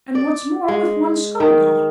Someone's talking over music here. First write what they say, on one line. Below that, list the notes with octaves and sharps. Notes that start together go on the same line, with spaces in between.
And what's more,--with one scull gone.
D5
G#3
D#3